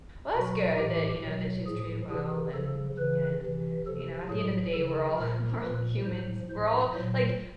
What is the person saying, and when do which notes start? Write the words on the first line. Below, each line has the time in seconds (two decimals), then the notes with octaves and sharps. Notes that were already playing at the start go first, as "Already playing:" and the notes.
Well, that's good that, you know that she was treated well and and, you know, at the end of the day, we're all we're all humans. We're all, like
0.34 B2 F#3 F#4
0.78 A2 E3 G4
1.21 B2 F#3
1.66 A2 F3 G#4
2.10 C3 E3 G#4
2.53 C#3 F3 A4
2.97 C#3 E3 B4
3.42 C3 E3
3.86 C3 F3 A4
4.29 A2 F#3 G#4
4.73 C#3 F3 A4
5.17 A#2 F3 A#4
5.62 A#2 F3 B4
6.05 A2 F3 C5
6.50 A2 F3 C5
6.94 A#2 F#3 C5